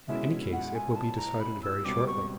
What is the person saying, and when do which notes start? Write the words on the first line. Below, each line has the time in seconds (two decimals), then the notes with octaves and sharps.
In any case it will be decided very shortly.
0.08 B2 G#3 C#4 E4 E5
0.53 F#5
0.75 G#5
0.96 A5
1.18 A#5
1.40 B5
1.63 E6
1.85 C#2 B2 G3 C4 D6
2.07 C#6